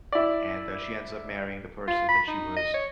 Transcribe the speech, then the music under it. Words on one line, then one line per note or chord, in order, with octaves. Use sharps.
and, uh, she ends up marrying the person that she was
E4 D5
F4
B5
D#4
D#5
C#5